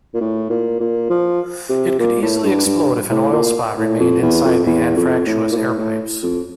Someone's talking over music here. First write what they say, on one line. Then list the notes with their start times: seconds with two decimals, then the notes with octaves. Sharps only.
It could easily explode if an oil spot remained inside the anfractuous air pipes.
0.14 A#2
0.20 A2
0.50 A#2
0.80 A#2
1.09 F3
1.69 C3
1.99 A#2
2.21 A2
2.44 G2
2.66 G2
3.11 A2
3.32 A#2
3.77 A2
4.00 F2
4.22 E2
4.45 F2
4.66 E2
4.96 F2
5.26 A2
5.52 A#2
5.56 A2
5.78 A2
6.22 F2